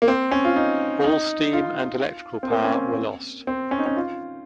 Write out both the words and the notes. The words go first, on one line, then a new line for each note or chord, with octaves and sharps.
All steam and electrical power were lost.
A#3
C4
C#4
F4
D#4
D#4
F4
C4
A#3
C#4
C4
C4
C#4
D#4
C#4
F4